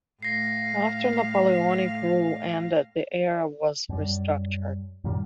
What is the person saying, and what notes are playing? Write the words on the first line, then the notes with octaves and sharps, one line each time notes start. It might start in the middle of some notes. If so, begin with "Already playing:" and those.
After Napoleonic rule ended, the area was restructured.
A2 F5 A#6 C7
F#2 G3
F#2 A#2 D#3 G3